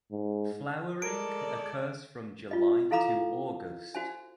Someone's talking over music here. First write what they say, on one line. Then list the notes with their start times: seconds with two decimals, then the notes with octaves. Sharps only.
Flowering occurs from July to August.
0.12 G#2
1.02 G#3 A4 A#4 D5 D7
2.51 F4 D#5
2.91 E4 A4 F5 A#5 B5 D6
3.95 F#4 C5 G#5